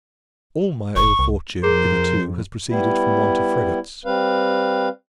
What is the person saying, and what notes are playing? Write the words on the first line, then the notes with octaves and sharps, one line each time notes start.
All my ill fortune, hitherto, has proceeded from want of frigates.
F#1 C#6
C2
F2 G#4 A#4 C5
G3 B3 E4
G3 C4 B4 F5